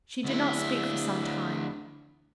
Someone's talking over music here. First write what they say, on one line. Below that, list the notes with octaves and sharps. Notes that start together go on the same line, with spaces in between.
She did not speak for some time.
D2 E4